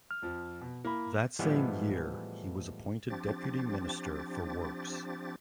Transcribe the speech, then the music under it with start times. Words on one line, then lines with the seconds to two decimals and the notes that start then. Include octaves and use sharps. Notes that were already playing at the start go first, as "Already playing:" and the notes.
That same year he was appointed deputy minister for Works.
0.11 F6
0.22 F2 F3
0.61 B2
0.85 A#3 E4 B5
1.39 A2 E3 F3 G3 G#3 B3
3.10 F3 C4 D4 G4 A6